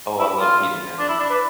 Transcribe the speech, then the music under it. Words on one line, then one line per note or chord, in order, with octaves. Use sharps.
Oh, I love pita bread.
E4
F4
D4
E4
D4
B4